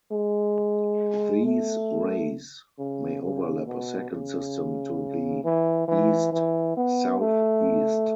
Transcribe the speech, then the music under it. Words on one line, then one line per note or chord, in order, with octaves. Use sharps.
These rays may overlap a second system to the east-southeast.
G#3
A3
C#3
C#3
B2
C#3
E3
E3
E3
B3
A3